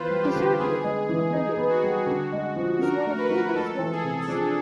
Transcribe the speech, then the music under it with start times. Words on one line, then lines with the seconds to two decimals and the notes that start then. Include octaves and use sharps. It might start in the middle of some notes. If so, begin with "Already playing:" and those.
The third movement, a minuet, is one of Haydn's longest.
Already playing: E3 B3 F4 B4 C5
0.10 G3
0.22 G4
0.35 D3
0.59 B3 G#4
0.84 G#3
1.09 E3
1.33 D#4
1.57 B3
1.70 F#4
1.83 G3
2.07 D3
2.32 G#3
2.56 F3
2.81 D4 A#4
3.05 A3
3.18 B4
3.30 F3
3.55 G#3 A4
3.79 E3
3.92 G#4
4.04 C3
4.28 F3 D4